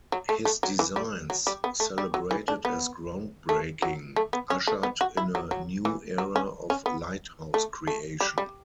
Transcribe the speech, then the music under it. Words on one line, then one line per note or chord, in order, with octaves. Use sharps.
His designs, celebrated as ground breaking, ushered in a new era of lighthouse creation.
F#3
A3
A3
F#3
E3
G3
F#3
G3
B3
A3
G3
F#3
E3
D4
B3
A3
F#3
A3
B3
C#4
A3
B3
F#4
E4
F#3
F#3
E3
F#3
C#4
C#4
B3
A3
A3
G3
G3